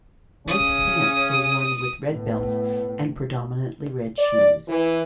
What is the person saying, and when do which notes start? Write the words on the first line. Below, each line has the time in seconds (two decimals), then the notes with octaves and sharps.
White pants were worn with red belts and predominately red shoes.
0.47 C#3 C#4 D#6
2.11 A2 B3
4.19 D5
4.68 E3